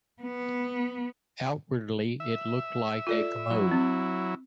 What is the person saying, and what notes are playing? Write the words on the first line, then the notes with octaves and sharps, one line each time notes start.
Outwardly it looked like a commode.
B3
E5
F4 A4 D5
F#3 E4
C4